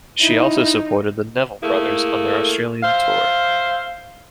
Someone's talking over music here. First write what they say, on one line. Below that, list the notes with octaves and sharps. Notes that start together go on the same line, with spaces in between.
She also supported the Neville Brothers on their Australian tour.
D#4 E4
A3 A#3 E4 G#4 A4
C5 E5 F5